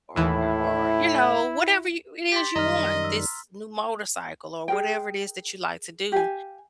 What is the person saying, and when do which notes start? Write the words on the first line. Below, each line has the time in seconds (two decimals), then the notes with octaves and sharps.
or o or, you know, whatever you it is you want. This new motorcycle or whatever it is that you like to do,
0.16 D#2 A2 E3 E4
2.32 G4 C6 A6 B6
2.56 F#2 D#3 G3 D#5 A#5 F6
3.04 E6
4.68 G#4 A#4 G5
6.12 G4 F5 G#5